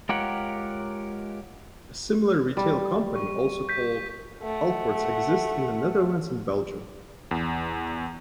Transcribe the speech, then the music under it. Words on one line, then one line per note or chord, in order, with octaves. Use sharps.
A similar retail company also called Halfords exists in the Netherlands and Belgium.
G#3 F4 G4 A#4 C#5 F#5
G3
C#6
G6 B6
A3 F#5
E2